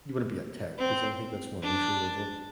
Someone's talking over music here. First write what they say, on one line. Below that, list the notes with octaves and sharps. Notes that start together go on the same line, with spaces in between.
you wouldn't be a tech 'cause I think that's more entry level.
C4
D4